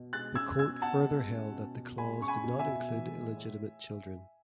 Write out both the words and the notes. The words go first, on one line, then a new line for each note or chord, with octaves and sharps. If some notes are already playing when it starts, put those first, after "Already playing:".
The Court further held that the clause did not include illegitimate children.
Already playing: B2
G#3 F#6 A6
C#4 E6 G#6
B2 E6 G#6
B2 F#5 A5
G#3
C#4
B2
B2
G#3 G#5 B5
C#4 C#6
G#5 B5
B2
E5 G#5
B2
E3
G#3
A2